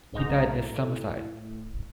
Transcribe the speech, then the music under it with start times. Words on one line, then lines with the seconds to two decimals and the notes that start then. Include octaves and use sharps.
He died at Summerside.
0.12 B1 G#2 D#4 A#5
0.46 A2